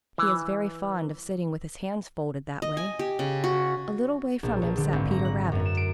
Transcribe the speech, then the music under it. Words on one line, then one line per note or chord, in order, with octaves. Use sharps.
He is very fond of sitting with his hands folded that way. A little way from him sat Peter Rabbit.
E3
D#5
G#5
G4
C#3
F#4
A#1
A#1
D3
G#1
A#5
F#6
F#2
E7
D7